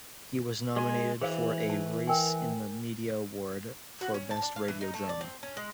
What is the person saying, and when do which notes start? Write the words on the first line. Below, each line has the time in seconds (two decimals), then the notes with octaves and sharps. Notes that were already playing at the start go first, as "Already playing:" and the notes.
It was nominated for a "Race in the Media Award" for Best Radio Drama.
0.76 G#3 F#4 G#5
1.21 E3 G#4 C5 F5
1.70 A5
2.08 A#4 G5 G#5
4.01 F#4
4.14 C#4
4.31 A5
4.42 D4
4.56 F5
4.68 E3
4.81 D#4
4.94 A3
5.09 D5
5.21 C4
5.43 C#4
5.57 G#3